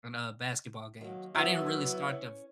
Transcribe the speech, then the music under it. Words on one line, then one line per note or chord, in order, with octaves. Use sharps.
and, uh, basketball games, I didn't really start to v
D#3 F#3 A#3
F#3 B3 E4
D#3 E3
C#4